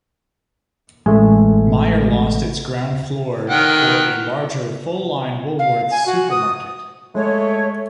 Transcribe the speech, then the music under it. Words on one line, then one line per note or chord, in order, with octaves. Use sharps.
Myer lost its ground floor for a larger 'full-line' Woolworths supermarket.
A1 G#3 A3
D#3 F#5 G5
F5
G#5
F#4
D#6
G#3 A3 C#5